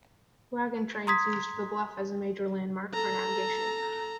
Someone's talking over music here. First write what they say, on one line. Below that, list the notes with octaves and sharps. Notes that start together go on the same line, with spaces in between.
Wagon trains used the bluff as a major landmark for navigation.
A#5 C6 D#6 G#6 B6
A4 A#5